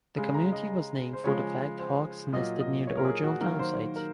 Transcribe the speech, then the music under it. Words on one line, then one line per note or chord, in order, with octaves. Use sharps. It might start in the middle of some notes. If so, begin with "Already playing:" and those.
The community was named for the fact hawks nested near the original town site.
C#3 G#3
A#5
D#5
C5
C#3 F3 G#3 C#5
C5
A#2 F#3 A#3 D#5
D#5
C#5
A#4
G#4
F#4
D#3 F#3 A#3 A#4
C5
A#4